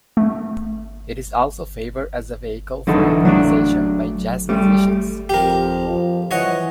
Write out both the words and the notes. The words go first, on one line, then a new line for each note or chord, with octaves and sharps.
It is also favored as a vehicle for improvisation by jazz musicians.
A3
D3 E3 F#3 D#4 A4
F#3 A3 D4 D5
G3 A3
F2 G4 A#4
F3
E3 C#5 D#5 F#5